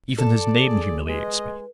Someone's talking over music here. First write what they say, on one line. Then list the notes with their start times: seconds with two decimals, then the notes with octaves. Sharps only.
Even his name humiliates me.
0.18 A4 D5 A5
0.58 G#4
1.07 G#3 B4 D#5